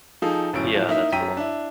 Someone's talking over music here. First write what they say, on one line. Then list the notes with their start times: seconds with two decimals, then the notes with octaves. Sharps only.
Yeah, that's cool.
0.22 F3 D#4 G#4 A4
0.53 G1 F#2 A2 C#4 D7
0.72 A2 F3
0.87 A#3 D#4 E4 E5
1.12 F#2 G5 A#5 B6 D#7
1.37 D4 E4